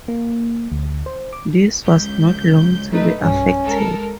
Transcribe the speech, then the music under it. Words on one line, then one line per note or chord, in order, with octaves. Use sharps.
This was not long to be effected.
A#3
D2
C5
D6
C#2 G6
A3 D#4 B4
B1 G2 C#4
G#3 A4 A#4